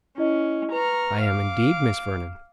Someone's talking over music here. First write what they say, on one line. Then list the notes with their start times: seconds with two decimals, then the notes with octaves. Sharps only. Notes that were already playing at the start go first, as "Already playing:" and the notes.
"I am, indeed, Miss Vernon."
0.18 C#4 E4 D#5
0.72 B4 A#5 C#6 F6
1.21 F5 D6 F6